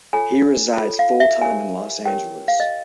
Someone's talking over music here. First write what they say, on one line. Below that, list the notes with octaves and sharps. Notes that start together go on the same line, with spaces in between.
He resides full-time in Los Angeles.
F4 A4 C#5 G#5
F4 A4 C#5
F5
E5
E4 G4 A#4 C#5 G#5
E4 G4 A#4 C#5 G5
F5
D#5